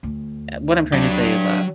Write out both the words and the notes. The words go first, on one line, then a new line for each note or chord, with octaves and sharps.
Uh, what I'm tryna say is that
D2
F#3 D4 G4